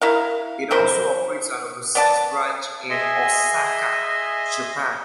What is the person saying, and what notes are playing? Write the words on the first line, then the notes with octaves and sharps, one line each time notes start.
It also operates an overseas branch in Osaka, Japan.
E4 A#4 F5
C4 E4 A#4 C5
B3 D5 A5
G#4 D#5 E5 G#5 C6